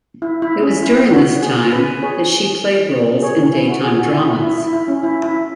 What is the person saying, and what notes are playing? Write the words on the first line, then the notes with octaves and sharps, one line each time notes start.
It was during this time that she played roles in daytime dramas.
E4
E4
C#4
E4
F#4
G#4
B4
G#4 C#5
G#4 C#5
C#4
E4
F#4
G#4
F#4
E4
E4
E4
E4
E4
C#4
E4
E4